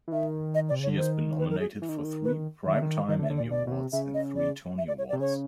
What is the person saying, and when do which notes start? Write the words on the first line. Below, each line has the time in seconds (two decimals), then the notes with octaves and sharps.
She has been nominated for three Primetime Emmy Awards and three Tony Awards.
0.08 E3
0.12 D#3 E5
0.55 D#5
0.69 C3 D5
0.79 C#3
0.83 C#5
0.88 D3
0.97 D#3 C5
1.39 B4
1.50 A#4
1.60 G#4
1.82 E3
1.89 D#3
1.97 D3
2.04 D#3
2.24 B4
2.66 D#3 E5
2.73 D3
2.82 D#3
3.08 D#3 D#5
3.19 D3
3.23 E5
3.30 D3
3.37 D5
3.40 A#2
3.51 B2 D5
3.67 B2
3.72 C3
3.92 C#3 E5
4.14 D#5
4.36 D5
4.78 E5
4.88 D5
4.98 C#5
5.09 D5
5.13 C3
5.20 C#3 C#5